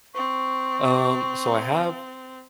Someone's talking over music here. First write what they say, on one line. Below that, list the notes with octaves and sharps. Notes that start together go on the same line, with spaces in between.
um, so, I have
C4 C#6